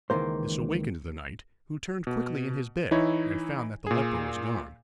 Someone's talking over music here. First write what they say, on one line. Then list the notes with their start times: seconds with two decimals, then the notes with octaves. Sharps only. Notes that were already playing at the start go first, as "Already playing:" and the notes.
This awakened the knight, who turned quickly in his bed and found that the leper was gone.
0.10 C#2 D#3 E3 A#3 C5
2.07 B2
2.91 E3 D#4 E4 C#5
3.87 A#2 G#4